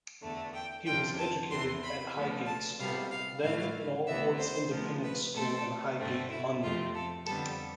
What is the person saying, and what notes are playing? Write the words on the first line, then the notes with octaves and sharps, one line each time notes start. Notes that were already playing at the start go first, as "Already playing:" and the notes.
He was educated at Highgate School, then an all-boys independent school in Highgate, London.
E2 D3 A3
G5
F2 C3 F3 C4 G5
A5
E2 C3 E3 C6
B5
D2 D3 F3 B3
A5
C3 G3 B3 F5
F5
A2 E3 A3 F5
D2 C3 E3 B3 E5
C5
D2 C3 F3 B3
B4
B2 A3 C4 A4
G2 D3 A3 C4
E4
F2 C3 F3 A3 C4 F4
A4
F2 D3 G3 B3 A4